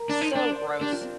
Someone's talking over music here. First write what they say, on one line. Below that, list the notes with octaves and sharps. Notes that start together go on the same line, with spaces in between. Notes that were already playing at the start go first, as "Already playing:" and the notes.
So gross.
Already playing: A#4
D4
D#4 C5
D4 D5
C5
D4 G4
F4
C4